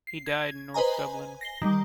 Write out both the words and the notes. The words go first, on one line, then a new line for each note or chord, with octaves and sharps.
He died in north Dublin.
C7
G#6
B4 C5 D#5 G#5 A#5
G#5
A#6 C7 G7
D#3 G3